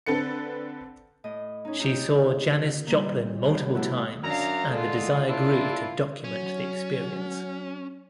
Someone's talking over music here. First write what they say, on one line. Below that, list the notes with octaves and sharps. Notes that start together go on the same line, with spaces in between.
She saw Janis Joplin multiple times and the desire grew to document the experience.
D3 C4 A4 B4 C#7
A2 D#5
C#4 D#4
D#4 F4 G4
A#2 D#3 G3
F#2 A2 C3
C3 F3 A3 B3 E4 F#4
F#2 D4 F5 A#5
D3 G#3 F4 A4
A#3 D4 E4 F4
F#3 C#4